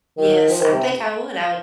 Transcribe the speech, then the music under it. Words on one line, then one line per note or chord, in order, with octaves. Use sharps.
Yes, I think I would I would
D#3
F3
D#3
C3